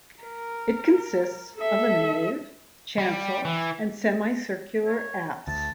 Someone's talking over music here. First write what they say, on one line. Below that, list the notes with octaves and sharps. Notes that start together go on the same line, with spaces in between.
It consists of a nave, chancel and semicircular apse.
A#4
A4 E5
G3
E3
C#5
D2 A5